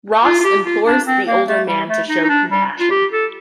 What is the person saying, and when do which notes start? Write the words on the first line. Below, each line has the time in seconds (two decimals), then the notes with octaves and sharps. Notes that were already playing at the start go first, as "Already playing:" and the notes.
Ross implores the older man to show compassion.
0.24 F4
0.40 F4
0.44 G4
0.65 F4
0.85 D4
1.06 C4
1.27 A#3
1.47 A3
1.67 G3
1.88 A3
2.09 D#4
2.24 D#4
2.29 D4
2.50 G3
2.80 F4
2.91 G4
3.12 A4